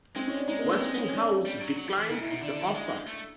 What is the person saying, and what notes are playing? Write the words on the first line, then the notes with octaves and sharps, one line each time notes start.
Westinghouse declined the offer.
G#3 C4
C#4
D4
G#3 D#4
A#3
B3
C4
C#4
D4
G3
F#3
F#3
F3
E3
C#3 D#4
E4
B2 D#4
D3 D4
D3
D#3
G#3
A3